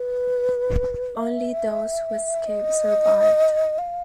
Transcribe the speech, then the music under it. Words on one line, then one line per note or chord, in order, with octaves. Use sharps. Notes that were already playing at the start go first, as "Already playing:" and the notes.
Only those who escaped survived.
Already playing: B4
E5
D#5
F5